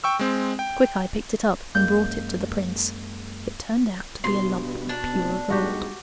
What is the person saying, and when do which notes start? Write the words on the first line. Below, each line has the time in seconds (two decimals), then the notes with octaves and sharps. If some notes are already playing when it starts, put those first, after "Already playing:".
Quickeye picked it up and brought it to the prince. It turned out to be a lump of pure gold.
0.04 G5 C#6 E6
0.19 G#3 C4
0.59 G5
1.75 F#2 G#3 A#3 G6
4.24 G2 B2 C6
4.89 D4
5.12 F1
5.50 B1 G2 G#3 F#4 G4